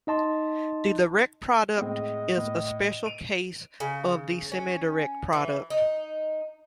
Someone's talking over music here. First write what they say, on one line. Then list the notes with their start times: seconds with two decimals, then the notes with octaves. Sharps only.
The direct product is a special case of the semidirect product.
0.07 D#4 D#5 A5 C6
1.77 A2 G#3 C4 D#5
2.37 A2
3.06 D7 D#7 F7
3.80 C#3
4.52 C#4
5.33 E3
5.70 D#4